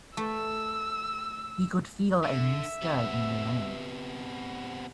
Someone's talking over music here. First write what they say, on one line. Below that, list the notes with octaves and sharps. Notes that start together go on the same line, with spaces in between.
He could feel a new stir in the land.
A3 E6
D3 E5
C3 B3